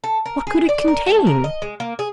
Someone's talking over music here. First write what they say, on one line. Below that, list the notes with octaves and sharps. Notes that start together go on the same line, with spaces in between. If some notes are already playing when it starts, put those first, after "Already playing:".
What could it contain?
A4
A#4
G#4
D5
A#4
A3
A#4
D#5
G#3
A#3
G#4